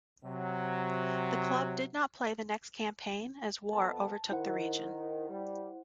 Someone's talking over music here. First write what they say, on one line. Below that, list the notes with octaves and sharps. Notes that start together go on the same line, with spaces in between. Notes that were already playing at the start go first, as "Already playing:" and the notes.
The club did not play the next campaign as war overtook the region.
C3 F#3
F2 B3 A4 A5
D#3 E4 C5 F#5
G3